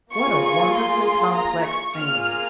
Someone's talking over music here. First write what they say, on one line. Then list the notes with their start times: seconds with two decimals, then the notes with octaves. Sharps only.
What a wonderfully complex thing!
0.14 A#3 F4 G#4 C#6
0.44 C#6
0.75 C6
1.05 C6
1.35 A#5
1.65 C#6
1.96 A#3 F4 G#4 F6